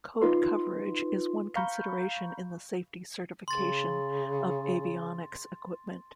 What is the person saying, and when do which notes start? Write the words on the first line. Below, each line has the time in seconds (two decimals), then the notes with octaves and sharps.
Code coverage is one consideration in the safety certification of avionics equipment.
0.22 D#4 F4 B4 C6
1.56 F5 A#5 B5 C#6 G6
3.48 C#3 C6 A6